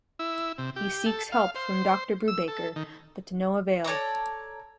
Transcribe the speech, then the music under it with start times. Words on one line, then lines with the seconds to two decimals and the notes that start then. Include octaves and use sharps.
He seeks help from Doctor Brubaker, but to no avail.
0.19 E4
0.58 C3
0.76 G4
1.06 A4
1.32 F5
1.55 C5
2.28 E6
2.48 A4
2.76 D#3
3.84 A4 C#5 D5 A#5